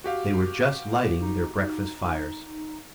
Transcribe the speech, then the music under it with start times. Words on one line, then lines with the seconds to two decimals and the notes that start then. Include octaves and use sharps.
They were just lighting their breakfast fires.
0.04 F#4 G4 F5
1.21 D#4